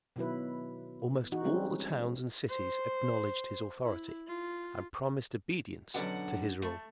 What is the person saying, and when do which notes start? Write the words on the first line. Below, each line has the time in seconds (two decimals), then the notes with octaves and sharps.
Almost all the towns and cities acknowledged his authority, and promised obedience to his rule.
0.16 B2 D#3 F#3 E4 B4
1.32 E3 D#4 F#4
1.44 G3 G#3 C4 C#4
2.49 C5
3.84 E4
4.27 F4
5.94 B2 D3 F#3 C#4 D4 F#5
6.62 A3 A5 C6 C#6